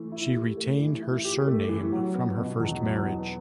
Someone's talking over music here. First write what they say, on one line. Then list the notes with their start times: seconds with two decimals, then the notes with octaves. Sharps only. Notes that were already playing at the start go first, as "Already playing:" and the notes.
She retained her surname from her first marriage.
Already playing: E3 A3
0.12 E4
0.35 G4
0.57 A3
0.79 E3
1.02 E4
1.25 G4
1.47 A3
1.69 E3
1.92 F#3
2.15 B3
2.38 B2
2.60 E2
2.82 F#3
3.04 B3